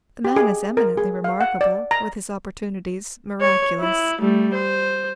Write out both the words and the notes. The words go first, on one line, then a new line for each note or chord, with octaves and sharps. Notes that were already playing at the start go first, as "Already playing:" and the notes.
The man is eminently remarkable,--with his opportunities, miraculous.
G4
G#4
A#4
G#4
F5
F#5
D5
A#5
C#5
E4
G3 A3
C5